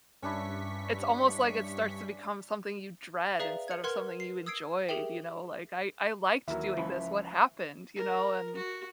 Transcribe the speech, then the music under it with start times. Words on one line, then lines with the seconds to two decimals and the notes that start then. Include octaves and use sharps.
it's almost like it starts to become something you dread instead of something you enjoyed, you know, like, "I I liked doing this. What happened?" you know, and
0.22 G2 C#4 D4 E4 C#6 B6
3.39 G#4 B4 D5 E5 F5 A#5
3.68 G#6 C#7
3.84 A#4 B4 F#5 C6 F6 G#6
4.20 C7
4.46 D#6 E6 G#6 C7 D7
4.89 G4 G#4 A#4 E5 G5
6.48 D#2 E3 F#3 A#4 E5
6.77 C#2 E3 F3 B5
7.95 A#4
8.56 F#4